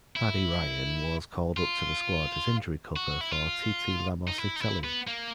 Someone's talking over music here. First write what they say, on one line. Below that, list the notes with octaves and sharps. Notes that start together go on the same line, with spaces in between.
Paddy Ryan was called up to the squad as injury cover for Titi Lamositele.
E4
F4
F#4
E4
F4
D#4
E4
D#4
E4
B3
A#3